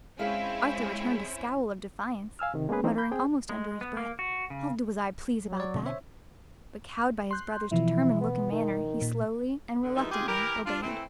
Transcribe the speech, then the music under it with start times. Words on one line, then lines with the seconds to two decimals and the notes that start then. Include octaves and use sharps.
Arthur returned a scowl of defiance, muttering almost under his breath, "I'll do as I please about that;" but cowed by his brother's determined look and manner, he slowly and reluctantly obeyed.
0.19 G#3 C4 C#4 E4 F5
2.39 F5 G#5 E6 F6
2.54 C3 D#3
2.69 G#3 A#3 B3 C#4 G#4 B4
2.84 E3 A3 C4 D#4
2.98 B5 G6
3.12 C4 G#4 G5
3.49 G#3
3.81 B3
3.97 A#3
4.19 F#4
4.50 C#3
5.41 F#3
5.57 C#5 D5
5.74 B2 D3 C4
5.86 C5 C#5 E5
7.31 C6 F#6 G6
7.72 B2 E3 F3 E4
8.21 B3
8.52 D#3
9.02 A#2
9.83 D3
9.95 D#2 G#2 E3 F3 D#4 E5
10.12 G#3 F4 G4 G#4
10.28 E3 G4 A#4
10.66 D4 F4
10.82 E3 A3 C4